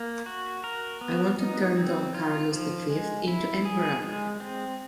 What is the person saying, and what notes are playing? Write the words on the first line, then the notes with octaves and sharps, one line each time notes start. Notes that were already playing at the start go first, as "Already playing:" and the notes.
I want to turn Don Carlos V into emperor.
Already playing: A#3
F#4
A#4
B3
D#4
C4
F4
F3
G#3
E4
G#4
G#3
C4